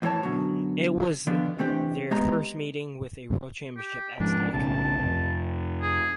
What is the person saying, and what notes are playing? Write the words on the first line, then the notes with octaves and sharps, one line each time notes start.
It was their first meeting with a world championship at stake.
F2 A2 E3 A4 C#5 A5
F#2 B2 D3 F#3
D3 D#3 F3 B3 D4
C3 E3 A3 C4 D4 G4
G#3 B3 G4 D#5 A#5 C6
G4
G#2 F3 D4
B1 A2 C#3 A5
F2 C3
G#4